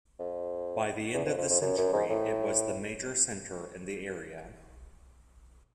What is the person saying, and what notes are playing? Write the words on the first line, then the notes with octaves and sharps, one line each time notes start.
By the end of the century it was the major centre in the area.
F2
E2
F2
F2
F2
F#2
F#2
G#2
A2